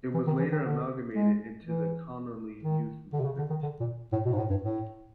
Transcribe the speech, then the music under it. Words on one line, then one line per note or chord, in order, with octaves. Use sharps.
It was later amalgamated into the Connolly Youth Movement.
E3
D#3
E3
D#3
D3
G#3
E3
D#3
D3
C3
C#3
D3
D#3
D3
A#2
A2
B2
G#2
A2
G2
A2